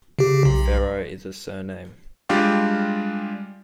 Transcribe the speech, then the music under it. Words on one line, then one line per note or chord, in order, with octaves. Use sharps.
Farrow is a surname.
C#3 G4
B1
G3 G#3 D4 F4 G4 D5